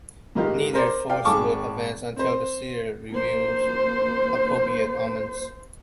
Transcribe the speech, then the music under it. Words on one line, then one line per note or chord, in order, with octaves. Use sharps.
Neither force would advance until the seer revealed appropriate omens.
G#2 D#3 A#3 D#4 F4 G4
A#4 C5 D5
D5 F5 G5
G#1 G#4 G5 A5 C#6 D6
C4 C5
A#3 C5